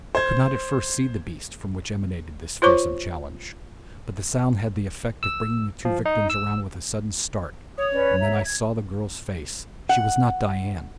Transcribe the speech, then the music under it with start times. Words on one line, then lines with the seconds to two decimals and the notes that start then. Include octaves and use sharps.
I could not at first see the beast from which emanated this fearsome challenge, but the sound had the effect of bringing the two victims around with a sudden start, and then I saw the girl's face--she was not Dian!
0.15 C5 G#6
2.62 F4 C5 C#5 C#6 D6
5.23 E6
5.85 F3
6.05 D#4
6.30 E6
7.78 C#5 D#6
7.92 C#4 B4 D5
8.20 E5 A#5
8.43 G#6
9.89 F#5